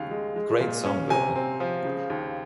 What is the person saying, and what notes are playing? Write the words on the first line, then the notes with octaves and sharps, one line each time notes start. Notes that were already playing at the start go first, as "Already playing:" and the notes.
Great song, though.
Already playing: D#2 C#3 F5
G#3
G#3
A#2
C#4
C3 G#5
C4
F3
C#3
D#2